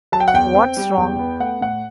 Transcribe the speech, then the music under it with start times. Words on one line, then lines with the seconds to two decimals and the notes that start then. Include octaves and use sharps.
What's wrong?
0.12 F#3 A5
0.20 G5
0.28 F#5
0.34 E2 G5
0.55 C4
0.77 G3
0.97 E2
1.19 B3
1.40 A3 F#5
1.61 A2 F#5